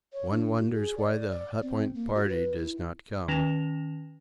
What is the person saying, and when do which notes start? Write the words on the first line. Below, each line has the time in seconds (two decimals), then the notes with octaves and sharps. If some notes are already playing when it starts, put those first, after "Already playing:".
One wonders why the Hut Point party does not come.
0.13 C#5
0.30 D4
0.58 F#4
0.74 G#4
0.98 D5
1.30 D5
1.62 C4
1.94 A#3
2.15 F#4
2.29 B4
2.57 E4
3.28 D#3 C#4 A#6 E7 F7